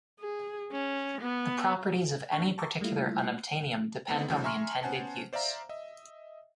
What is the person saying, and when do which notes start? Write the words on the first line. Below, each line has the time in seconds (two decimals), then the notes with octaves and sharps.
The properties of any particular unobtainium depend on the intended use.
0.20 G#4
0.72 C#4
1.21 B3
2.32 D4 C#6
2.58 A5 A#5 C#6 D6 E6
2.81 G3 A3 A#3 E4 F4
4.08 A3 B3 C4 D#4
4.30 C#3 F3 G3 A3 C#4 D#4
4.44 E5 G#5 A#5 C6 C#6 F6
4.83 B3 C#4 C5 F#5 G#5 A5
5.33 C5 D5 E5 F5 A#5
5.69 D#5 E5